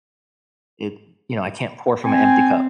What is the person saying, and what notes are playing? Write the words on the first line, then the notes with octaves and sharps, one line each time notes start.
it, you know I can't pour from a empty cup.
C4 G5 G#5